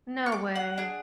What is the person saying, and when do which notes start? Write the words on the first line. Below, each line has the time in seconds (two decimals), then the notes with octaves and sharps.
No way.
0.26 C#6
0.32 D6
0.55 F#5
0.78 D4 G#4